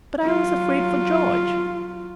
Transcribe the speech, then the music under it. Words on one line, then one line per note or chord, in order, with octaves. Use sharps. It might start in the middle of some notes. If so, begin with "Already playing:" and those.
But I was afraid for George.
F#3 F4